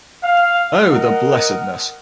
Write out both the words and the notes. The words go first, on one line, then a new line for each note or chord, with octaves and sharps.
Oh, the Blessedness!
F5
A#4 D#5 F#5